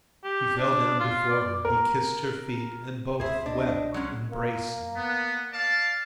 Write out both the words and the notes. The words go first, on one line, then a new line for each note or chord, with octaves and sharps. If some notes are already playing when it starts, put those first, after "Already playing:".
He fell down before her, he kissed her feet and both wept, embracing.
G4
D4
F4
D5
A#4
C#2 G#4 C5 E5
D4 D#5
F#3 G#3 C#4
A#3
B3
D5 F5 A5